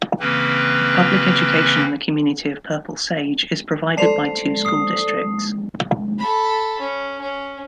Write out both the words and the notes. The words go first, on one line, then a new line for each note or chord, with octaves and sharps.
Public education in the community of Purple Sage is provided by two school districts.
C#3 E3 A#3 C4 C#4 B4
A4 C5 D5 A5 C7 F7
D#6 C7
A4 B5
C#4
C#4